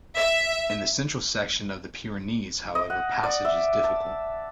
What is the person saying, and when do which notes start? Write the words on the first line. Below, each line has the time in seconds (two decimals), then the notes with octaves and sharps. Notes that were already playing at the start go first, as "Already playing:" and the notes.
In the central section of the Pyrenees, however, passage is difficult.
0.16 E5
2.75 D#5
2.90 F#5
3.23 D5
3.45 E5
3.84 A5